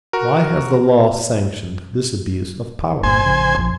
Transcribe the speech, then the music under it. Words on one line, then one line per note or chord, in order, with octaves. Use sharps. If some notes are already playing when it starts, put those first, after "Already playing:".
Why has the law sanctioned this abuse of power?
F#4 A#4
G1 A#2 C5 G#5
A1 F2 C#3
A#1 F2 F3